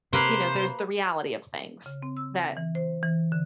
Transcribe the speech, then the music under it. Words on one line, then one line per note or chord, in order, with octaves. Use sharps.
you know, there's the reality of things that,
C3 A#3 B4 C5 F5
C#3
C4
E6
A#6
E3
C5
E3
D3